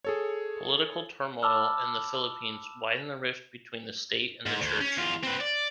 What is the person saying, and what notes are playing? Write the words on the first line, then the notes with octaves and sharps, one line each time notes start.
Political turmoil in the Philippines widened the rift between the State and the Church.
G#4 A4 C#5
A5 B5 D6 E6 F6
G#2
D2
C#4
E2 F4
C4 B4
D5